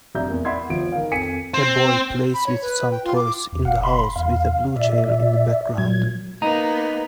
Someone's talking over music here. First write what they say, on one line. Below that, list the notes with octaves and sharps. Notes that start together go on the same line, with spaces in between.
A boy plays with some toys in the house with a blue chair in the background.
F1 F#3 D4 E5 A#5 G6
E2 A#3
D5 E5 F#5 B5 C6 G#6
G1 F3 D7
D#3 F5
F2 A4 G#5 B6 C#7 D#7
C4
B5
C#5
B4
G5
F4
D6
E2
F#1 F5 F#5
B5 C6
E2 F5
A#2 D5 E5
A#2 F#3 G#6
A#3 B3 D#4 A#5